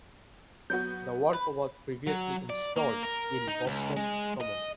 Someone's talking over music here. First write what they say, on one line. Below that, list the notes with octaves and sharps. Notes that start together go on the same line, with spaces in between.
The work was previously installed in Boston Common.
F#3 B3 F#4 G6
B4
F#3
D5
A#3
A#4
D#4
C#2
G#3
D#5